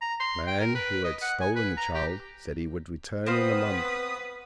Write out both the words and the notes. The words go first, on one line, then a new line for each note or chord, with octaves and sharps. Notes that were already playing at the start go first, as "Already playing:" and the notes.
The man who had stolen the child said he would return in a month.
A#5
C6
G5
A#4
B4
D#5
F#5
G#5
B4
A#5
G4
B3 C4 B4 C5 F5 D#6